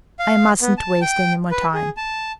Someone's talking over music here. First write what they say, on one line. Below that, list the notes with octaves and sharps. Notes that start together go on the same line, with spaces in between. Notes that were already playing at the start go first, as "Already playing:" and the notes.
I mustn't waste any more time.
F5
B3
A5
G5
B4
G#4
A5